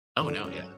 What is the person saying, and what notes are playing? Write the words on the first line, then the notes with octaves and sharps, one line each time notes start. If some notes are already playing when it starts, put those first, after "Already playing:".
Oh no, yeah.
D3
F#3 C#4